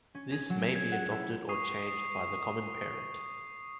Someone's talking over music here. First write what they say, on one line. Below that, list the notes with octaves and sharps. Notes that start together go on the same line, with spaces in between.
This may be adopted or changed by the common parent.
C#4
G#4
F#3
G#6
F#5
E4
C#6 D#6 C7